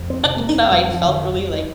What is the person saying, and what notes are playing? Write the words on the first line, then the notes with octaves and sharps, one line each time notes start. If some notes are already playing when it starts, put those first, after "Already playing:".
I don't know, I felt really, like
Already playing: F2
C4
C3
A#3
F2 G3
F3
D3